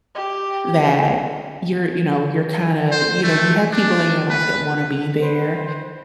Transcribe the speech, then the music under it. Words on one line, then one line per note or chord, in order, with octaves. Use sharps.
that you're you know, you're kinda, you know, you have people in your life that wanna be there,
G4
C5
A3
D4
B4
B4 C5